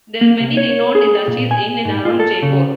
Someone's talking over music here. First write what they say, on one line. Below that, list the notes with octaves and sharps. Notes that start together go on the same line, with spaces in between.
There are many renowned industries in and around Jeypore.
A#3
C2
C#5
G#4
A#2
G#5
G#2
F4
A4
C#3